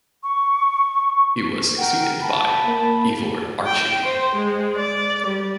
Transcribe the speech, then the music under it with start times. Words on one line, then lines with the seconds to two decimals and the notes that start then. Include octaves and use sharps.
He was succeeded by Ivor Archie.
0.23 C#6
1.77 A#4 F#5 G5
2.21 A5 B5
2.65 A#3
3.66 G5
4.04 C5
4.35 G#3
4.76 D5
5.27 G3